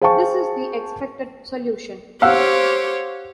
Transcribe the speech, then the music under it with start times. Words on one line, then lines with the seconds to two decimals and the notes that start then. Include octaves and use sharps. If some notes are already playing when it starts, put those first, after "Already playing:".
This is the expected solution.
0.01 G#4 C5 F5 G5 A5 C#6
2.22 G4 C5 C#5 F5 F#5 E6